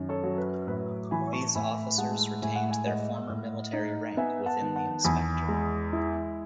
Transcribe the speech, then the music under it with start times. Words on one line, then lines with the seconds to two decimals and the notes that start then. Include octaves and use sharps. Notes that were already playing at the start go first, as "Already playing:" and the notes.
These officers retained their former military rank within the Inspectorate.
Already playing: F#2 D#3
0.09 A4 C#5
0.23 F#3
0.38 B4
0.67 A2 B4
1.11 E3 G#5 B5
1.33 A5 C#6
1.55 A2 G#5 B5
1.98 G#3 F#5 A5
2.42 A2 G#5
2.56 F#5
2.70 E5 G#5
2.86 G#3 D#5 F#5
3.29 A2
3.73 D#4
4.17 B3 E5 G#5
4.46 F#5 A5
4.62 D#3
4.76 F#5 A5
5.04 E2 G#5 B5
5.48 G#3
5.93 E4